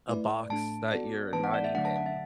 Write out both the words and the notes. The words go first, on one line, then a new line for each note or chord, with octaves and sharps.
a box that you're not even,
A3 E4 B4 D5
A2 A3 D4 A5
B3 F#4 A4 D5
E3 B3 D4 B4 A5
F#5
D5
E5
D3 F#3 A3 D4 F#5
A5
F#5
E5